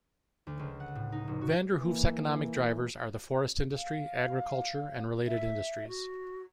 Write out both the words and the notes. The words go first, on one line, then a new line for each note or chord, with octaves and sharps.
Vanderhoof's economic drivers are the forest industry, agriculture, and related industries.
D2
C#2
F#5
A2
D#4
F1
F#4
E3 A#3
F5
E5
F#4